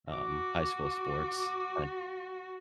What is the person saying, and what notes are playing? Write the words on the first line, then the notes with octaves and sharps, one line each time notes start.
um, high school sports and
F#4 D6